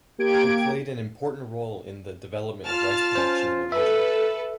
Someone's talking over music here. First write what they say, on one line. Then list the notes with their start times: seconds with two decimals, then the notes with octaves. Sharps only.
It played an important role in the development of rice production in the region.
0.19 A#3 G4 G#6 D7
2.64 F4 A5 F6
3.15 C#4 C5
3.72 A4 B4 E5